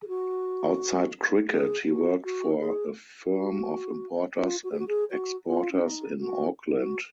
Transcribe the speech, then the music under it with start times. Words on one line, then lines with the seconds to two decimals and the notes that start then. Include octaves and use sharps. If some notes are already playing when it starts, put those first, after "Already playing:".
Outside cricket, he worked for a firm of importers and exporters in Auckland.
0.02 G#4
0.07 F#4
1.51 G#4
1.88 F#4
2.23 F#4
2.59 G#4
3.30 F#4
4.35 F#4
4.38 F4
4.63 F#4
4.71 G#4
4.78 F#4
4.87 G#4
5.10 F#4
5.46 F4
5.71 C#4
5.83 D#4
6.19 F#4
6.79 F#4